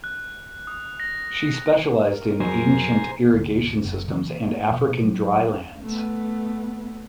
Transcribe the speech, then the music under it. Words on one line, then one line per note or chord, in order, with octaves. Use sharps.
She specialised in ancient irrigation systems and African drylands.
F#6
D#6
A#6
A#4
F2 C#3 F#3 C5 G#5 A#5
D2 G#2
F#1
C#3 E3 A#3
A3 A#3
B2 F3
F#3
A3 B3